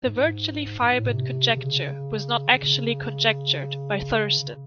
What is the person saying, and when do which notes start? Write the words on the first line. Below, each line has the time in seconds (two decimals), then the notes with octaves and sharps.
The virtually fibered conjecture was not actually conjectured by Thurston.
0.06 G#2
0.82 G#2
0.93 A2
1.06 C3
1.57 C#3
2.56 C#3